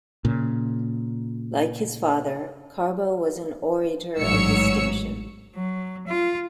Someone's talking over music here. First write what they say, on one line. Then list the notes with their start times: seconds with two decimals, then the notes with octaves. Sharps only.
Like his father, Carbo was an orator of distinction.
0.25 A#2 C#3
4.18 A1 G#2 F#3 C#5 E6 C#7
5.54 F#3
6.07 F4